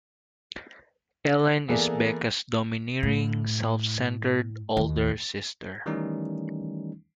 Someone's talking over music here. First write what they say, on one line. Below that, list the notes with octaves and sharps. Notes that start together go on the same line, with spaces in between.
Ellen is Becca's domineering, self-centered older sister.
E3 A#3 B3 G#4 A4 D5
A2
D#2
D#3 E3 G3 A3 C#4 D#4